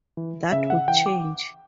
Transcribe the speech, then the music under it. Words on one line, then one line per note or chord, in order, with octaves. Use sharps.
That would change.
E3
C#3 E5
F#5
E3 G5
D6